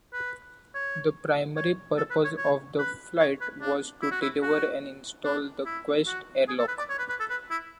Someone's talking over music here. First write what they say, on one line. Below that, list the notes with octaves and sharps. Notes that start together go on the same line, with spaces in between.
The primary purpose of the flight was to deliver and install the Quest airlock.
B4
C#5
C#5
A4
B4
C#5
C#5
B4
C#5
B4
D4
E4
F#4
E4
F#4
D4
E4
F#4
G#4
A4
B4
D5
C#5
B4
B4
A4
B4
E4